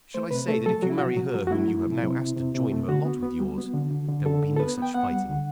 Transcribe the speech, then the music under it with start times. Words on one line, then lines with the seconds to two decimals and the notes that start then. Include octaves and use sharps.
Shall I say that if you marry her whom you have now asked to join her lot with yours, there will be no such fighting?
0.14 A3 C5
0.31 C3 B4
0.48 A3 A4
0.66 F#3 A4
0.83 F#3 F#4
0.90 E4
0.98 C3 F#4
1.17 F#3
1.34 F#3
1.47 F#4
1.51 A3 E4
1.68 F#3
1.86 C3
2.03 C3
2.19 C3
2.37 C3
2.55 C3
2.72 A3
2.88 D3 F#4
3.05 B3
3.22 B3
3.40 G3
3.58 B3
3.74 D3
3.91 D3
4.08 D3
4.26 D3 A4
4.43 D3
4.57 A4
4.60 B3 B4
4.78 B3 G5
4.94 B3 F#5
5.11 G3
5.29 D3